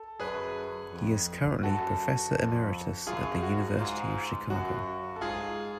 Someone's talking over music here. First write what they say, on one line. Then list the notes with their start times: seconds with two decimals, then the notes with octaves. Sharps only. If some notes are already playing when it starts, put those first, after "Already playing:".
He is currently professor emeritus at the University of Chicago.
Already playing: A4
0.20 F#2 G#4 B4
0.92 F2
1.63 F#2 F#4 A4
2.35 F2
3.07 F#2 F4 G#4
3.43 F#4
3.78 G#2 F4
4.50 F#2 F#4
5.16 A4
5.21 G#2 F4 G#4